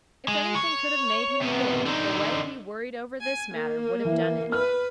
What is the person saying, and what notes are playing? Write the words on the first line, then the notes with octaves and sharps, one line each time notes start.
If anything could have made him thin the way he worried over this matter would have done it.
G#3
C#5
C3 B3
D3 D#4
G#5
A#3
E3
B4 F6